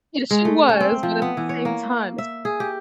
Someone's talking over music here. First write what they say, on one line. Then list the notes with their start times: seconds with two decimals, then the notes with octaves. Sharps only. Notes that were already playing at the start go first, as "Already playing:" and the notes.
Yes, she was, but at the same time, it's
0.31 G#3
0.45 A3
0.69 C#4
0.80 C4
1.03 F3
1.22 B3
1.37 E3
1.49 C#5
1.65 A#3
2.18 E5
2.45 G#4
2.60 G4